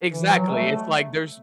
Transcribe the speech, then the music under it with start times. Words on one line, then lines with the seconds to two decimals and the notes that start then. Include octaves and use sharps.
Exactly, it's, like, there's
0.10 E3
0.31 F#3
0.52 A3